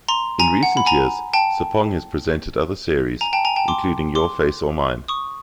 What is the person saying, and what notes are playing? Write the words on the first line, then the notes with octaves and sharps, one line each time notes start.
In recent years, Sarpong has presented other series, including Your Face or Mine?
A#5 C6
G#5 A#5
F#5
B5
G#5 A#5
G5 A5
G#5 A#5
G5 A5
G#5 A#5
G5 A5
C6 D6
C6 D6
C#6 D#6